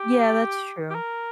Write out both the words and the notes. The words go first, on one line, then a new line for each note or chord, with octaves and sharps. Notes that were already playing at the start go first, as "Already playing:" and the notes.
Yeah, that's true.
Already playing: G4
G4
A#4